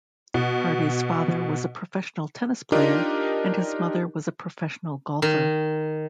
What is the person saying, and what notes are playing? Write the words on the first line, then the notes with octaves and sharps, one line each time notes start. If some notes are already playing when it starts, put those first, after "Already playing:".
Hardy's father was a professional tennis player, and his mother was a professional golfer.
B2
D4 D#4 F4 G4 A#4 D#5
D#3